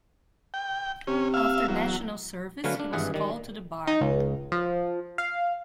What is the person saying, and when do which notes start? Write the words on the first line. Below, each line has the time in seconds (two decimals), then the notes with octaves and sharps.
After National Service he was called to the Bar.
0.54 G5
1.07 C3 C#4
1.34 E5 F5
1.68 E2 F#3
2.64 D3 F#3 A3 B4 F5 G#5
2.80 D4
2.93 G#1 G2 E3 G#4 F#5
3.14 D#3 G3
3.87 D#4
4.01 C#2
4.52 F3
5.18 F5